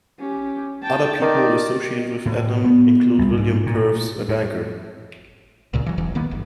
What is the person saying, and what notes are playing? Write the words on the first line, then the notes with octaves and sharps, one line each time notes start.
Other people associated with Ednam include William Purves, a banker.
C#4 G4
G5 A5
D#3 D5
A2
B3
C2
G#2
A#2
A2
C#2 A#2 C#3
E3 F#3
E1 B1 E2 E3
D#3 A#3 B3
G1